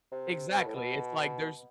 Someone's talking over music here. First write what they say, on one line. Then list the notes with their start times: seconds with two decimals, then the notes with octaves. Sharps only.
Exactly, it's, like, there's
0.12 C3
0.49 C3
0.58 B2
0.66 A2
0.75 B2